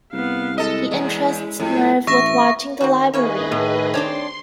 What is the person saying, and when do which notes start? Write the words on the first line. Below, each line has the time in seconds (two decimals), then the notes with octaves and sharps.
He entrusts Merv with watching the library.
0.13 C2 B3 F5
0.58 G#3 E4 A4 D#5
0.91 E2
1.60 F2 A2
2.07 A1 E5 C#6 A#6
2.81 D#3 C4 D#4 F#4
3.14 D#3 E3 A#3 G#4 B4 C#5 D#5
3.52 A2
3.94 C4 D4 G4 C#5 C6